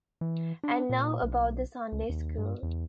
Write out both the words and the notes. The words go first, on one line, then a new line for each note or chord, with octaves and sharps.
And now about the Sunday school.
E3
D4
A#2
B1
C#2
D#2
G2
E2